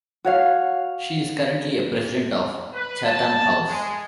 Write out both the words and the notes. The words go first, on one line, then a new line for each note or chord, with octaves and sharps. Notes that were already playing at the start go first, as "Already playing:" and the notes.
She is currently a president of Chatham House.
F#4 C#5 F5
B4
A5
G#3